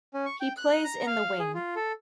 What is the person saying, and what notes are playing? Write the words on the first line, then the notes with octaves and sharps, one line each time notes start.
He plays in the wing.
C#4
C#6
G5
F#6
A#5
F5
G#4
F4
A4